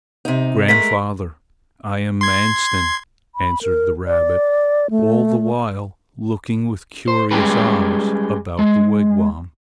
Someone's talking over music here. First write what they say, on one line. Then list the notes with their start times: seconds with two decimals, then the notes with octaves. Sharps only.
"Grandfather, I am Manstin," answered the rabbit, all the while looking with curious eyes about the wigwam.
0.25 C3 D#4
0.69 G#3 A3 A#4 B6
2.21 C6 G#6
3.35 B5
3.63 A#4
4.06 D5
4.90 A3
7.08 C5
7.31 G3 G#3 C#4 G4 G#4 B4
8.59 G#3